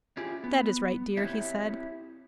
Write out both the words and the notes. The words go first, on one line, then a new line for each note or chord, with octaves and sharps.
"That is right, dear," he said.
C#4 E4 F4 G4 G#4
B3
C4 E4 G4 C#5 E5